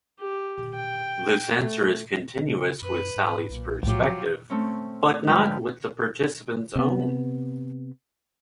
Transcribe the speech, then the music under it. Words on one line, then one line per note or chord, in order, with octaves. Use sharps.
This answer is continuous with Sally's perspective, but not with the participant's own.
G4
G5
A3
C#3
F#2 B4
G#2
B1 A#2
B1 A2 F3 F#3 F4 G4
A3 C4 C#4
G#2 D3 F3 B4 G5 F6
C3 B3